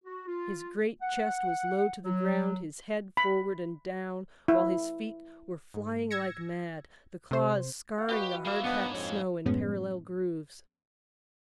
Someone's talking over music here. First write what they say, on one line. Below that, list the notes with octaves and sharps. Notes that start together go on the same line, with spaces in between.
His great chest was low to the ground, his head forward and down, while his feet were flying like mad, the claws scarring the hard-packed snow in parallel grooves.
F#4
F4
F#5
F#3
B5
E4
G#2
E6 G#6 A#6 C#7
C3 C5
A#3 F5 F#5
F#4 G4 B4 D#5
G#3 A#3 E5 F5 B5
G#2 B3 D4
F2 C#5
F#2 A2 F3 G#3 B3 C#4